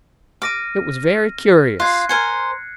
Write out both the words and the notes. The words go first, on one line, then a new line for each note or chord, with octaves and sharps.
It was very curious.
D6 F6 A#6 D#7
F4 F#6 G#6 C7
A#4 C5 G#5 C#7